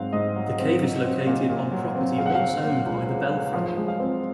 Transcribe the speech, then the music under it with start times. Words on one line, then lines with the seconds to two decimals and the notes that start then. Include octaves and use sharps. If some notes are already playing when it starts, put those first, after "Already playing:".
The cave is located on property once owned by the Bell family.
Already playing: G#2 F#3 C4 F5 F#5
0.13 G#2 D#5
0.36 F#3
0.58 C4
0.81 F#3
1.03 C4
1.27 A#2
1.50 A#2
1.72 F#3
1.95 C4
2.18 C#3 F5
2.26 F#5
2.35 F5
2.40 F#3
2.64 A#3
2.86 C#2
3.08 C#3
3.31 F#3
3.54 F3 F5
3.77 G#3
3.88 F5
4.00 C4